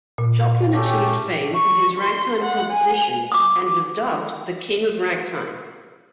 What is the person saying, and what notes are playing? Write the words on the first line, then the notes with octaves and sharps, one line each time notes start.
Joplin achieved fame for his ragtime compositions and was dubbed the "King of Ragtime".
A#2
A3 C#4 G4
C#6
C6
F#5
G#5
D6 D#6